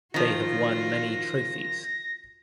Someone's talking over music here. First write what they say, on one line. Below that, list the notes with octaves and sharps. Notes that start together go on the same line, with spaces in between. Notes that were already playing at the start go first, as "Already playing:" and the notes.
They have won many trophies.
D#3 F3 F4 F#4 A#6